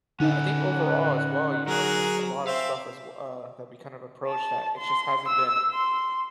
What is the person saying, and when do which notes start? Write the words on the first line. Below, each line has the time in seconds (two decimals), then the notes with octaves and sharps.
I I think overall, as well, you know, it's just a lotta stuff as w uh, that we, kind of approach that it just hasn't been
0.20 D3 C#4 D#4 A4 F#5 G#5
1.68 F#3 G#4 A#4
2.47 C4 E5 F5
4.27 A5
4.77 C6
5.28 E6
5.73 C6